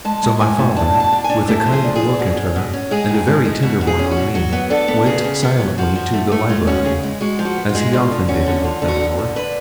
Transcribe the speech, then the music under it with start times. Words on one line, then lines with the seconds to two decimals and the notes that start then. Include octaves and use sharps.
So my father, with a kind look at her, and a very tender one on me, went silently to the library, as he often did about that hour.
0.05 G#3 A5
0.23 G#3
0.40 A2 G#5
0.58 A2
0.76 D4 A5
0.94 B2
1.00 A5
1.12 D4
1.24 G#5
1.30 D4
1.48 A3 A4
1.66 F3
1.72 G#4
1.84 D4
1.96 G#4
2.02 D4
2.20 B2
2.37 C#4
2.56 B2
2.74 C#4
2.91 G#3 G#4
3.09 A2
3.27 G#3
3.45 G#3
3.63 B2 F#4
3.81 B2
3.87 G#4
3.99 C#4
4.11 F#4
4.17 B2
4.35 F#3 F#4
4.53 B3
4.70 D4 A4
4.88 B3
5.06 C#3 G#4
5.24 C#3
5.43 B3
5.60 F#3
5.78 F3 F#4
5.96 F3
6.14 A3
6.32 A3
6.49 G#3 F4
6.67 C#4 F#4
6.85 C#3 G#4
7.03 G#3
7.21 G#3 F#4
7.39 F3
7.45 F#4
7.57 B3
7.69 F4
7.75 G#3
7.93 D3 F4
8.11 D3
8.28 C#4 F#4
8.46 D3
8.64 D3 F4
8.82 D3
8.88 F#4
9.00 D3
9.18 D3
9.36 D4 B4